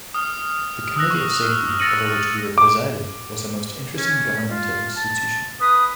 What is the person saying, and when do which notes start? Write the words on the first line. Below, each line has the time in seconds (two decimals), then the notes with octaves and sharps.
The Committee of Safety, over which Weare presided, was a most interesting governmental institution.
0.14 D#6 F6
0.96 D#6 E6 F#6 A#6
1.10 C#6
1.42 F6
1.79 E6 A6 A#6 C#7 D#7 F#7
2.58 D6
3.98 C#4
4.50 F4
4.96 A5
5.61 B4 D#6